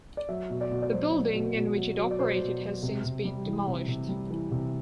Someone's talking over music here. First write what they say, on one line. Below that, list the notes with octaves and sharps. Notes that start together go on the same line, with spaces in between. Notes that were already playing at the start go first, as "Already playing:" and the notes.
The building in which it operated has since been demolished.
D5
F#3 E5
B2
D5
B2
D5
F#3 C5
F#3
B2
B2
F#3
F#3
D5
B2 C5
B2
F#3
C3
C3
G3
E3
C3
C3
G3
E3
C3